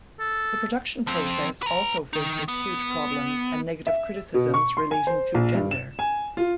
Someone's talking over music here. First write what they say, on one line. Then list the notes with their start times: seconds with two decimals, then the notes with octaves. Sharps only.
The production process also faces huge problems and negative criticisms relating to gender.
0.20 A4
1.07 F3 C4
1.62 B4 A#5
2.13 D#3 D#4
2.48 B3
3.87 E5
4.34 B2
4.54 C#6
4.77 C6
4.91 G#5
5.07 C5
5.34 A#1
5.55 G2
5.71 E7
5.99 G#5
6.37 F4